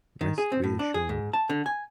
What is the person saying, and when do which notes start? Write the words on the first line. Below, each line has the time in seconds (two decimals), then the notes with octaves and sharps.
Rest reassured.
0.21 D#3
0.38 G#4
0.52 C4
0.64 A2
0.79 D4
0.94 G#4
1.09 G#2
1.33 A5
1.49 D3
1.66 G#5